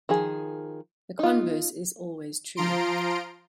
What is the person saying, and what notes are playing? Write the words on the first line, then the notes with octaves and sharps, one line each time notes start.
The converse is always true.
D#3 F3 G#4
D#4 F4
F3 F4 A#5 C6 D7